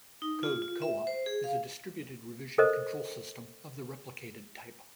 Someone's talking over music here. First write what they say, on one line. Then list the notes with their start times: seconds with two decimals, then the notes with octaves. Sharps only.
Code Co-op is a distributed revision control system of the replicated type.
0.22 D#4
0.43 F4
0.62 F4
0.82 E5
1.07 C5
1.26 G#4
1.44 F5
2.58 A4 A#4 C5 D#5